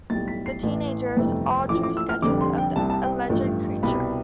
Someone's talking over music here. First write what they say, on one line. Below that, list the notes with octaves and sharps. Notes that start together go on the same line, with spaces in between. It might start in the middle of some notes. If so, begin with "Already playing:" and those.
The teenagers all drew sketches of the alleged creature.
B1 A2 G3 A6
B6
C7
A1 A2 E3
G1 F2 C3 E3 A3
A1 A2 F3 D6
D6
E6
F6
F1 F2 D3 G3 D6
C6
G5
C2 C3 G3 A5
A5
G5
A1 G2 F3 A3
C2 B2 G3 B5